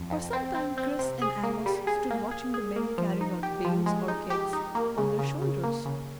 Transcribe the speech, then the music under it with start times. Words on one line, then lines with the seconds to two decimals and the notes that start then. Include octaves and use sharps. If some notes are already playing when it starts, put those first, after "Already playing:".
For some time Chris and Amos stood watching the men carrying out bales or kegs on their shoulders.
Already playing: F2
0.10 F2
0.33 C4
0.54 C4
0.77 C4
0.99 C3
1.22 G#4
1.43 A#3
1.66 G3
1.87 G#4
2.10 A#3
2.31 G#4
2.54 G#4
2.76 A#3
2.98 F3
3.21 D#4
3.43 G4
3.65 F3
3.86 G#3
4.08 D#4
4.30 G4
4.53 D#4
4.75 A#3
4.98 C#3
5.19 C#3
5.42 C#3
5.64 A#3
5.85 C#3